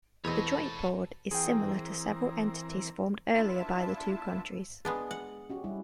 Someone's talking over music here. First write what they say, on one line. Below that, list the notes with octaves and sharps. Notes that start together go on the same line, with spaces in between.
The joint board is similar to several entities formed earlier by the two countries.
E2 B2 C4 A4 C#5 D#5 B5
E3 C4 G#4 A#4 G5
B3 D4 E4 F4 E5 A5
G#3 B3 D4 G#4
F#5
C#4 F#4 G4
G3 E4